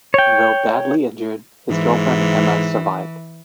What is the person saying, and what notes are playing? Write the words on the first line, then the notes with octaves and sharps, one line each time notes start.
Though badly injured, his girlfriend Emma survived.
C#5 G5
G#2 E3